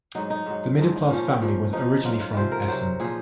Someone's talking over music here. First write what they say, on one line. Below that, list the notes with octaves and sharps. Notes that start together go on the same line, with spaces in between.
The middle class family was originally from Essen.
G#2 F#3 D#4
D#4
G#2 F#3
G#2 F3
A#2 F3 C#4
A#2 F3
A#2 F3 D#4
G#2 F#3 F4
F4
C3 F3 C5
A#4
C3 F#3 C5
A#2 F3 G#4